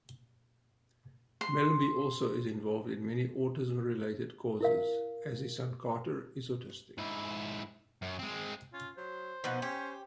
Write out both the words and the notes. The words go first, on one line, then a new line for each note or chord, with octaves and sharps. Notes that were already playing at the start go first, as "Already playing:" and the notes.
Mellanby also is involved in many autism-related causes as his son Carter is autistic.
C6
E4 A#4 F5
G#2 E4
F#2
G#3 C4
C#4 F4
F#3 C5
B2 F3 B3 D#4
C#4 G4